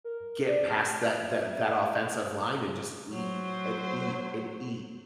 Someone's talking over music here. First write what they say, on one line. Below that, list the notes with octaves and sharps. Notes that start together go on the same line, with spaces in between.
get past that that that offensive line and just eat and eat and eat.
A#4
D5
F6
E5
F#3 C5